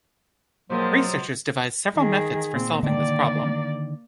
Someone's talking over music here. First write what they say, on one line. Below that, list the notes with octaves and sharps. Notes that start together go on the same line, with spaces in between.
Researchers devised several methods for solving this problem.
B2 F3 F#3 G#3 A#3 C5
D#3 G#4
A#2 C4
D3 D#3 A#3 D5